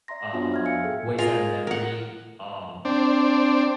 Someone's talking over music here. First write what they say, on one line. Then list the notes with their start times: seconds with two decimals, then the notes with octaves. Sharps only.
um, ways that memory, um
0.08 D5 E5 A#5 C6 A#6
0.33 B3 D4 F4 F#4 C5 C#5
0.52 E5 F6 G#6
0.65 E5 F5 G#5 E6 C#7
0.84 G#4 A4 G5
1.18 F4 G#4 A#4
1.67 A#4 F#5
2.85 C4 D4